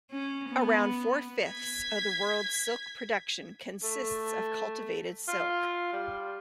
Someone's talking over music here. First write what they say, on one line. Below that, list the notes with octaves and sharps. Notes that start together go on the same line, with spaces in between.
Around four-fifths of the world's silk production consists of cultivated silk.
C#4
B3
G#6 B6
A3
F4
G3